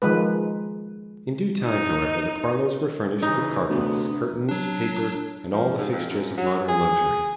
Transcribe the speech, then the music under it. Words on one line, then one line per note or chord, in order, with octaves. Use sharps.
In due time, however, the parlors were furnished with carpets, curtains, paper, and all the fixtures of modern luxury.
D#3 F3 G#3 B4
D#4
C#3 E3 D#4
D2 C3 B3
F#3 D4
F3
G#2
F2
F#2
F#3
G#4